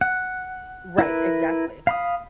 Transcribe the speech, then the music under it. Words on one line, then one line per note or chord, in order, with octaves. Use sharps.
Right, exactly.
F#5
E4 A#4 B4
F5 B5 D#6